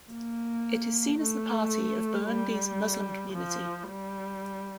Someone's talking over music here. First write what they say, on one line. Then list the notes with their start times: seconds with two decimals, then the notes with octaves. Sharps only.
It is seen as the party of Burundi's Muslim community.
0.11 A#3
1.18 A3
2.26 G3
3.33 F3
3.88 G3